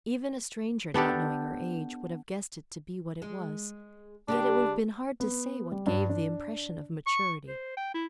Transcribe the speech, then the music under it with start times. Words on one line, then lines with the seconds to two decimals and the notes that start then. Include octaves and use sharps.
Even a stranger, not knowing her age, would have guessed it to be what it was, yet it would have been hard to say what gave the impression of maturity.
0.94 B3 D4 G4 A4
3.22 G#3
4.28 C#3 G3 D4 G4
5.20 B3
5.72 G3
5.87 G2
6.09 D4
7.07 C#6
7.47 C5
7.77 G5
7.94 E4